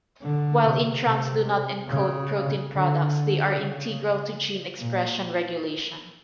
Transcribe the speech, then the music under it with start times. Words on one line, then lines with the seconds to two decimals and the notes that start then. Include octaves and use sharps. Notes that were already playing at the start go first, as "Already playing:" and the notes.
While introns do not encode protein products, they are integral to gene expression regulation.
0.22 D3
0.63 C3
1.05 C3
1.88 C#3
2.72 D3
3.54 C#3
4.80 A#2